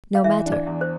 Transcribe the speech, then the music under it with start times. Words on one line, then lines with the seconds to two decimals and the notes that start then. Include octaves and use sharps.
"No matter."
0.15 F5
0.24 E3 E5
0.46 D4
0.52 D5
0.66 E2
0.81 C5